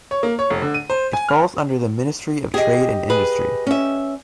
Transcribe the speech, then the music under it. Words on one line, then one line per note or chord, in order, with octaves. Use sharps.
It falls under the Ministry of Trade and Industry.
C#5
A#3
C#5
F1
D3
D#7
C5
G#5
F6
G4 G#4 D#5
G#4 B4
C#4 E5